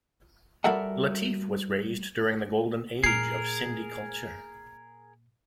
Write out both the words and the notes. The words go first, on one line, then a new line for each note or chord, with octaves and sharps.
Latif was raised during the golden age of Sindhi culture.
G3 F#4 A4 A#4 E5 F#5
A#2 G#4 A#4 C7